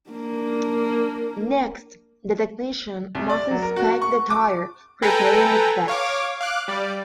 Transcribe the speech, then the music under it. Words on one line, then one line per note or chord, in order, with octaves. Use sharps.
Next, the technician must inspect the tire, repairing defects.
A#3 D4
C2
D5
F#3
A#4
F#4
C#6
D6
A4 B4 G5 G#5 A#5
C#5 F5 D6
F5 D6 F#6
G3 D5